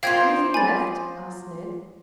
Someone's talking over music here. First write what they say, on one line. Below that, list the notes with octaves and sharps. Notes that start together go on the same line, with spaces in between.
"Anything left?" asked Ned.
F3 A#3 F4 F5 G5 G#6
G#5 B5 A6